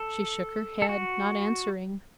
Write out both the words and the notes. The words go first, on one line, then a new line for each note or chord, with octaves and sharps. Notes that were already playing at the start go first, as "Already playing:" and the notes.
She shook her head, not answering.
Already playing: A4
A4
F#4